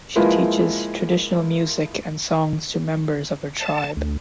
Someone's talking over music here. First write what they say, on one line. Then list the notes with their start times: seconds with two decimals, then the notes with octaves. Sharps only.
She teaches traditional music and songs to members of her tribe.
0.16 F3 G#3 A#3 E4 F4 B4
3.59 A5
3.97 D2